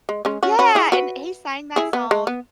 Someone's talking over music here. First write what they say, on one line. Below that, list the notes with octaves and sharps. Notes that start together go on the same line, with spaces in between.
Yeah! And he sang that song
G#3
G#3 C#4
C#4 F#4
C#4 F#4
E4 G#4
F#4 B4
E4 G#4
B3
G#3
B3